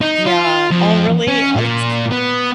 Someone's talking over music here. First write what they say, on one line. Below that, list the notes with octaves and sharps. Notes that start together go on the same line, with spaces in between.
Yeah, oh, really? Oh, tiss
D#4
F4
F2
C#4
A#2
B3